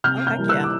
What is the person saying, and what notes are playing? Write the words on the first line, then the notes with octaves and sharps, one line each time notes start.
Oh, heck yeah.
C3 F6 G6
F6 G6
E3 G3 A#3
E6 F#6
D6